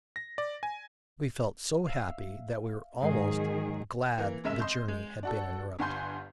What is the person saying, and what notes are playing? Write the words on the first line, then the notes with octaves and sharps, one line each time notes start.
We felt so happy that we were almost glad the journey had been interrupted.
A#6
D5
G#5
E5 F5
G#2 D#3 F#3 G#4 C7
E3 A#3
F1 C#3 G#3 A#4 E5 E7
D#5 C6 G6
G#3
D4 F#4 A4
G1 G2 F#5 G#5 C6 G6